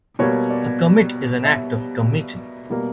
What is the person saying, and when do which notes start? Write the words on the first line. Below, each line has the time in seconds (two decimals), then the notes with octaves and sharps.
A "commit" is an act of committing.
0.19 B2 G3 A#3 C#5
0.50 D5
1.45 E5
2.70 B2 G3 A#3